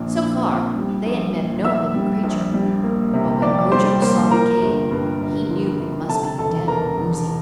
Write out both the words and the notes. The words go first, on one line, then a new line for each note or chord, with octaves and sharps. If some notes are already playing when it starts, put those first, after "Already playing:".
So far they had met no living creature, but when Ojo saw the cave he knew it must be the den of the Woozy.
Already playing: A#1 A#2 D4
F3
C4
G3
A#1
A#2
A#1 E5 E6
G3
A#1
G3
A#3
C3
F2 D5 D6
G3 C5 C6
A#3 C5 C6
F3 A#4 A#5
G1
G2
G1
F3
G1
C3 A4 A5
E1 A4 A5
E2 A#4 A#5
E1